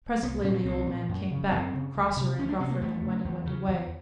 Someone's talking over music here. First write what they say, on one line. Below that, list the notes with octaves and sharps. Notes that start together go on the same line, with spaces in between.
Presently the old man came back, crosser and gruffer than when he went away.
C2 B3
A#2 C#4
C4
C2 C4
A#2
F#2
C#3
F#2 C4
C#3
D2
C3
D2 C#4
D4
C3 C4
A#3
E2 A3
C#3
E2
C#3
E2